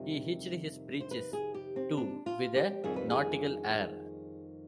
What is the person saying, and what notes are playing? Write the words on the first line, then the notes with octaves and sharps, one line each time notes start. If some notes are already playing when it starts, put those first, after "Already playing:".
He hitched his breeches, too, with a nautical air.
Already playing: F2 C3 D#3 G3
C5
B4
G#4
G4
C4
D4
F4
G4
F2 D#3 G3 G#4
B4
G#4